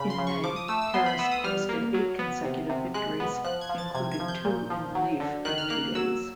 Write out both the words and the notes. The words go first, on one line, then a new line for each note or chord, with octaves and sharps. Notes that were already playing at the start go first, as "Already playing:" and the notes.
In May, Harris posted eight consecutive victories, including two in relief in two days.
Already playing: C#3 B5
C6
C#3
C#6
F3 D6
D#6
A3 E6
E6
B3 C6
B5
B3 E6
D#6
G3 F6
A#3
F#3
B3
C3
C3
G#3 F#6
B3
F3 F#6
G#6
F3
A6
C3 G#6
G#6
F3
G6
A#2
F3
F#3
D3
D#3 F#6
F6
A#3 F#6
F#3 E6